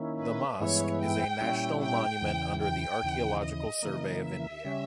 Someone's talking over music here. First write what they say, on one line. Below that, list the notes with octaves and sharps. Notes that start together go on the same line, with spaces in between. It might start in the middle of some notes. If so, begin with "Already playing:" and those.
The Mosque is a National Monument under the Archaeological Survey of India.
Already playing: D#3 A#3 C#4 E4
B4
G2 E3 G#3 B3 E4 C#5
G5
A#2 G3 C#4 E4
G5
E2 C#3 E3
G5
D#2 C#3 E3
D#5
C#3 E3 A#3
E5
C#3 G3 C#4